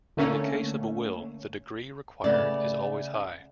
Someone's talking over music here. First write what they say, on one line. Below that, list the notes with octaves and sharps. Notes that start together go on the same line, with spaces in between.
In the case of a will the degree required is always high.
D3 A3 A#3 C#4
C#3 A3 B3 D5